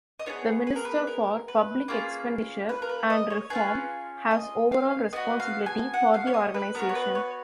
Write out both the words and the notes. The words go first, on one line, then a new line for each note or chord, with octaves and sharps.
The Minister for Public Expenditure and Reform has overall responsibility for the organisation.
D#5
B3 F4 G#4 C#5
B4
A#4
B4
A#4
B4
A#3 C#4 F4 G#4
B4
A#4
B4
D#5
C#5
C#4 F4 G#4 B4
D#5
F5
B3 F#4 D#5
F5
G#5
F#5
F5
C#5
D#5
B4
B3 F#4 A#4
C#5
B4
C#5